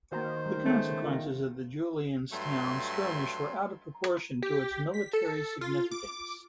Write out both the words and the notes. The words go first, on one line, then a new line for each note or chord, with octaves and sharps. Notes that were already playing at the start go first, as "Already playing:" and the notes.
The consequences of the Julianstown skirmish were out of proportion to its military significance.
D#3 A#3 F#4 C5
G3 A3 D#4
G#3 A3 B3 C#4
E4 F4 A#4
G2 F#3 A3 C6
G4
B6
A4
F4
D6